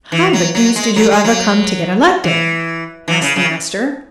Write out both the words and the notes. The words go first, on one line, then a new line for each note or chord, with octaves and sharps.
"How the deuce did you ever come to get elected?" asked the master.
E3
F#3
F#3
G#3
F#3
G#3
F#3
E3
E3
C#3
C#3